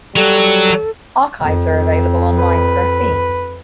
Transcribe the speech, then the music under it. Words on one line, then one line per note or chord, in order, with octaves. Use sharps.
Archives are available online for a fee.
F#3 G3 A4
F2
B4